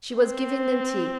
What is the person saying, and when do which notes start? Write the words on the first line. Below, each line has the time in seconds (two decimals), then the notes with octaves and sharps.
She was giving them tea.
0.16 C4